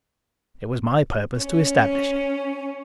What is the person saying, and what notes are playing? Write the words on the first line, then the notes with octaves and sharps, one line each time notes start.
It was my purpose to establish it.
C#4